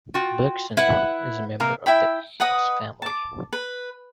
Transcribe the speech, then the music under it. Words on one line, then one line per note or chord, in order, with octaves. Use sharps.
"Blixen" is a member of the Eos family.
F4 F#4 G5
E4 B4 F#5
C3 A#3 A#4 A#5
E4 E5 G5 B5
B4 D#5 F#5 D#6
A5 D6
B4